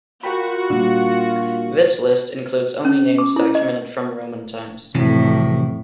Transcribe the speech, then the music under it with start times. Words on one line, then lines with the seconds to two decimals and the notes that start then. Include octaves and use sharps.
This list includes only names documented from Roman times.
0.23 F4 F#4 A#4 G5 B5
0.70 A#2 G3 A#3 D4
2.85 C#4
3.18 D6
3.36 E4
3.55 D#5
4.95 F2 A2 C3 E3 F#3